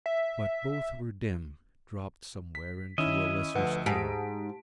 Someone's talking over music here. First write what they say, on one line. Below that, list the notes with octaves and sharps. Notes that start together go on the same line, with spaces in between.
But both were dim, dropped somewhere into a lesser scale.
E5
B6
D#3 C#4 E4 D#5 E5
D2 F3 B4 F#5
G#2 G4 A5 B6 D7